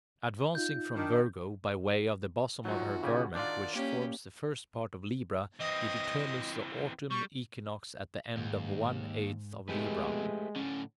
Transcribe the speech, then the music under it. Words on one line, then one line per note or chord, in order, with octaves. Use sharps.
Advancing from Virgo by way of the bosom of her garment, which forms the first part of Libra, he determines the autumn equinox at the end of one eighth of Libra.
D#4 F4 G6
D#3 D4
D#3 F3 F#3 F#4
C#3 G4 G#5
D#3 D4 F4 D5 C6
A#3 C#4 G4
E3 C4 D#5
G3 C#6
D#2 G#2
F2 B2 G#3 A3 G4 B4
A2 D3 C#4